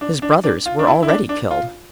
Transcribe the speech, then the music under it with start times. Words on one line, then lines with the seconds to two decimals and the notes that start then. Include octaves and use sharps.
His brothers were already killed.
0.01 D4
0.22 D4
0.44 D4
0.66 F4
0.79 D4
0.87 E4
1.03 E4
1.08 D4
1.29 D4
1.51 F4